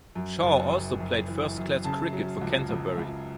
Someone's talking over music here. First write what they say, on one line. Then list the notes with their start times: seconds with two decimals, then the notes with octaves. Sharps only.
Shaw also played first class cricket for Canterbury.
0.15 F#2
0.43 F#1
0.71 F#1
1.00 F#2
1.28 E3
1.57 F#2
1.84 C#3 A5
2.13 F#3
2.41 C#2
2.69 C#2
2.98 C#2